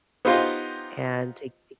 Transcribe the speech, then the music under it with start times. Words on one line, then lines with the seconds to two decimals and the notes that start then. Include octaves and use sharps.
and take the
0.25 B3 D#4 F4 G4 C5 D#5